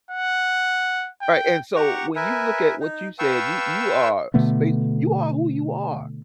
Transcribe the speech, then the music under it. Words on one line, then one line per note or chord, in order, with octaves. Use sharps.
Right, and so, when you look at what you said, you you are space you are who you are.
F#5
G5
G4 F#5 A#5 C#6
A#4 B4 E5 G#5
D#4
B4 F5 G5 A5 C#6 E6
B2 D3 A3 B3